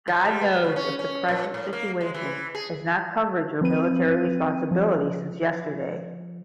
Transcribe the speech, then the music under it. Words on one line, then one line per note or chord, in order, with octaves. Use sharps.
God knows if the present situation has not covered your military responsibility since yesterday.
F3
G3
B3
C#3
C#4
C#4
A#2
A2
A#3
G#3
E3
G#4
F3 C4 B4 D#7
F3